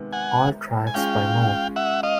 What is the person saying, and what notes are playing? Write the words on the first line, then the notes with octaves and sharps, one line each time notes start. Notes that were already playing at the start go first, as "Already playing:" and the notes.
All tracks by moe.
Already playing: C3 D#3 G#3 B3
F#5 G#5
G#5
G#3 C#4 F4 G#4 F5 G5
E5 F#5
D#5 F5